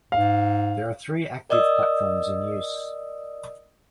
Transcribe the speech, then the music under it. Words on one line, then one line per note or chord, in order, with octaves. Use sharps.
There are three active platforms in use.
G#2 F5
A#4 D5 D#5 D#6 E6